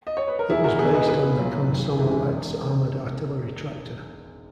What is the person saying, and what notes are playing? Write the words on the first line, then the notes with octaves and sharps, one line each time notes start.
It was based on the Komsomolets armoured artillery tractor.
D#5
C#5
B4
A#4
E1 E4 G#4
F#4 A#4
E2 B2 G#4 B4
B4 D#5
B1 G#4 B4
A#2 F#3
G#1
F#2 E3 G#3
E1